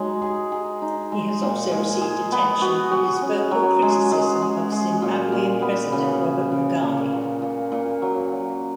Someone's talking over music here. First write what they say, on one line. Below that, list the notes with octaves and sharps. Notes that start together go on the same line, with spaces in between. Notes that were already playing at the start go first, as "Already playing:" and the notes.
He has also received attention for his vocal criticism of Zimbabwean president Robert Mugabe.
Already playing: F#3 G#3 D#4
G#4
G#4
D#4
G#3
A#2
G#3
G#4
B3
F#4
F#4
C#4
F#3
G#3
G#3
G#3
G#3
A#2
A#2
B3
C#3
C#3
C#3
A#2
A#2
A#2
A#2
F#3
F#3